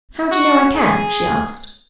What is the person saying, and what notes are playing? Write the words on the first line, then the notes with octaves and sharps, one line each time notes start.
"How do you know I can?" she asked.
F#4
G#4